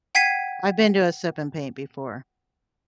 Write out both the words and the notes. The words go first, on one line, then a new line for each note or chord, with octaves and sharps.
I've been to a sip and paint before.
F#5 G5 G#6 B6 C7 D#7